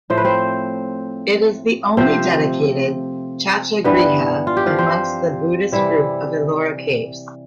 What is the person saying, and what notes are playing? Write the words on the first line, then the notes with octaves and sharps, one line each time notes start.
It is the only dedicated chaitya griha amongst the Buddhist group of Ellora caves.
A2 F3 A3 C5
B4
C4 C5
C3 F3 A3 C4 C5
G2 E3 G3 B3 B4
F4
G4
F3 F4
C4 C5
C3 E3 G3 E4 E5